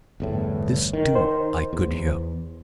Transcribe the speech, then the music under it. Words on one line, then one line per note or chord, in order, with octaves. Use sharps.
This, too, I could hear.
G1 E2 A2
D#3
C5
E2